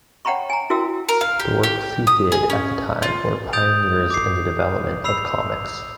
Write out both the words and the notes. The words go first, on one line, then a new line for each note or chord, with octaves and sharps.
The works he did at that time were pioneers in the development of comics.
C#5 F#5 G5 A#5 B5 C#6
G#5 A#5
E4 F#4 A#4 G5 E6
A#4
F5
G4
G4
D#6
G#4
C#4
F4
D#6 G6 A6 D7 F7
D6 C7
B5 E6 C7 F7